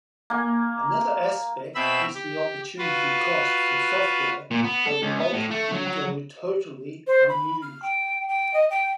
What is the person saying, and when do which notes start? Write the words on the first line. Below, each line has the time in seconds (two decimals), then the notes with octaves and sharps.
Another aspect is the opportunity cost for software that will ultimately go totally unused.
0.30 A#3 G#5
1.75 B2 C4 E5 B5 E6
2.14 G4
2.78 F4 F#4 B4 F5
4.51 A#2
4.64 B3
4.86 A4
5.02 C#2
5.19 B3
5.33 A2
5.51 A3
5.72 F#3
5.88 F#3
7.07 C5
7.29 B5
7.62 F6
7.82 G5
8.29 G5
8.54 D#5
8.71 G5